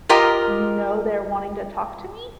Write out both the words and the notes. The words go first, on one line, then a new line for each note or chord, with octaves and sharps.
know they're wanting to talk to me
F4 G4 A#4 D#5 G5